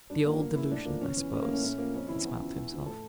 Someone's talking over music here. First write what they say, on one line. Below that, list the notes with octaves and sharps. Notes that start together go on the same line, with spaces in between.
"The old delusion, I suppose," he smiled to himself.
G2 D4
D3 F3 A#3
G2 A#3
E3 E4
A2 D4
F3 A#3
E2 C#4
E3
A2 C#4
A#3
E3
C#4
A2 C#4
F3 A#3
F2 C#4
E3 E4
E2
C#3 F3
E2
D3 F3
A2 A4